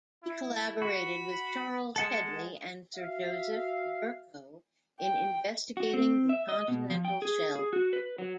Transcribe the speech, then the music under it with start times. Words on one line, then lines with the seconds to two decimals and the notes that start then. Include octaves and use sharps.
He collaborated with Charles Hedley and Sir Joseph Verco in investigating the continental shelf.
0.23 E4
0.82 F#4 B5
1.96 G#3 A4 F#5 A5
2.95 F#4 E5 F5
5.00 G5
5.77 F#4
5.94 C4
6.29 E5
6.49 D#5
6.68 B2
6.90 F3
7.05 G5
7.22 G#4
7.56 G#4
7.73 F#4
7.93 B4
8.18 F#3